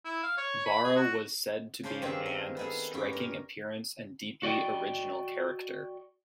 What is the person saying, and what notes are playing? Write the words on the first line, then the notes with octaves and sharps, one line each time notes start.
Borrow was said to be a man of striking appearance and deeply original character.
E4
F5
C#5
B5
G#4
F#4
C#3 D4 C5 D5 F5 C6
G2 D#3 C4 F4 G#4 E5
A#4
B3 G#4 A4
G2 B3 C#4 G5
A#4
F#4 D5 D#5 G5